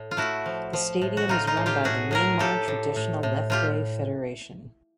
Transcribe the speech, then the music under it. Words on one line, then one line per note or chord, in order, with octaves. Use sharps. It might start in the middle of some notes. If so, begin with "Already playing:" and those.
The Stadium is run by the Myanmar Traditional Lethwei Federation.
Already playing: A2
F4
A3 E4 F#4
F3
F3
A2
F#4
A2 D#4 F4
D#4 F4
A2
F4 G4
A2 F#4 G#4
A2 G#4 A#4
A2 G4 A4
A2
A2
A2
A2 F4 G4